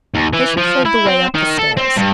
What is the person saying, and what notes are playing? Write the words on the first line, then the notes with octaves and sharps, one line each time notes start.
Fisher showed the way up the stairs.
D#2
E3
F3
E4
C4
D#3
A4
C4
G2